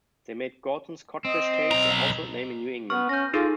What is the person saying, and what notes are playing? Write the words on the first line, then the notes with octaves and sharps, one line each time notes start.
They made Gorton's codfish cakes a household name in New England.
C4 D#5
B1 A#5
B3 C#6 F6
C#4 G6 A#6
D#4 F4 G#4 A4